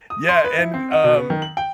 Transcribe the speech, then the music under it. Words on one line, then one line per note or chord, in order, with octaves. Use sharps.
yeah, and, um
D#6
C6
B4
E4
C4
F#5
B2
B3
D#3
F#7
G5